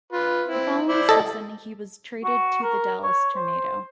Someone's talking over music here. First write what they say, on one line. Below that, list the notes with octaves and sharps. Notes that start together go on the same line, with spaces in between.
The following season he was traded to the Dallas Tornado.
F4 B4
C4 E4
E4 C5 D5
A4 D#5
F#4
A#4
C#5
C5